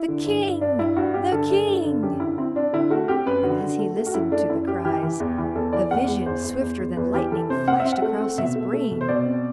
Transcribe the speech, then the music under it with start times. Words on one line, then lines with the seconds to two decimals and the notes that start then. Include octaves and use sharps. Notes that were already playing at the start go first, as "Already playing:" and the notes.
'The king! the king!' but as he listened to the cries, a vision, swifter than lightning, flashed across his brain.
Already playing: E4
0.08 D3
0.26 G2
0.44 G2
0.61 G2 D4
0.79 G2 E4
0.96 G2 F#4
1.14 G2 G4
1.32 D3 A4
1.50 G2
1.68 G2
1.84 D3
2.03 F#2 G4
2.20 D3 E4
2.38 C4 E4
2.55 C4 D4
2.73 D3 E4
2.90 A3 F#4
3.08 C4 G4
3.26 F#2 B4
3.43 D3 F#4
3.61 D3
3.79 A3
3.97 A3
4.07 F#4
4.14 F#2 E4
4.32 A3 D4
4.50 F#2 E4
4.67 F#2 G4
4.85 E3 G4
5.03 E3
5.20 E2
5.38 E3
5.55 E2 A4
5.73 E3 D5
5.91 E2 F#5
6.08 E2
6.26 E2 C5
6.44 E2
6.61 E2
6.79 E2
6.97 E2 B4
7.14 E3 G4
7.31 E3 A4
7.50 C3 C5
7.67 C4 F#5
7.80 E5
7.85 C4
7.92 F#5
8.02 A3
8.20 C4
8.38 B2 E5
8.56 A3
8.73 A3
8.91 B2
9.01 C5
9.08 B2 D5
9.26 C4